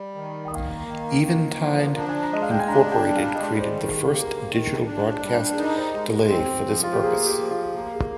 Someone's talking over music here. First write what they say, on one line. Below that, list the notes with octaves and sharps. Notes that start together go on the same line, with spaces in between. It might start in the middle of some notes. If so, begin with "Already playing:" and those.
Eventide, Incorporated created the first digital broadcast delay for this purpose.
Already playing: G3
D#3
A#3
D#3
A#3
F3
D4 A#5
G#5
A#5
G#3 D#5
F5
G5
G#5
D4 A#5
G5
G3
F5
D#5
G#3 D5
C5
D#3 G#4
G#4
G4
A#3 G4
D#3
D4
G3
G#4
D#4 A#4
C5
G#3 G#4
G4
C4 G4
F3
F4
G4
A#3 G#4
G4
F3
F4
F4
A#3 G4
G#4